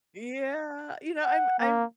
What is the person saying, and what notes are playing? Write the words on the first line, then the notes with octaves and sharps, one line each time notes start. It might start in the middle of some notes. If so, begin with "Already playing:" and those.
Yeah, you know, I'm I'm
F#5
A#3